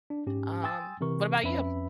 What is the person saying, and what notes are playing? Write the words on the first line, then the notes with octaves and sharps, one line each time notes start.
Um, what about you?
D4
G#2 C#4 G4
G5 G#5 C6 D#6 E6 A6
C3 E3 A#4 C#6
F2 C#4 B4 E5 B5